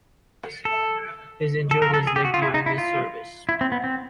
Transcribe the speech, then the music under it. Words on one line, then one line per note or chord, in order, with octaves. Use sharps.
His injured his leg during his service.
A4
A4
A#4
A4
G#4
G4
F#4
F4
E4
D#4
E4
F4
E4
C4
B3
C4